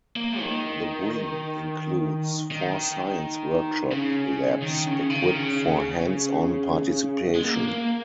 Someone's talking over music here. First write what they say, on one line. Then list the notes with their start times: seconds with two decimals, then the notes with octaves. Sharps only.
The wing includes four science-workshop labs equipped for "hands-on participation".
0.16 A#3
0.40 D#3
2.51 D#3
3.92 C#3
4.62 D#3
4.86 C#3
5.10 D#3
5.33 C#3
7.35 G#3
7.44 A#3
7.68 A#3